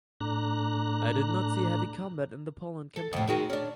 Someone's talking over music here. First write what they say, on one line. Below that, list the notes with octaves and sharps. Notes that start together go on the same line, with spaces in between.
It did not see heavy combat in the Poland campaign.
A2 D4 A#5 F#6
A4
F2 A2
D#3 G#3 F#4
C#4 D4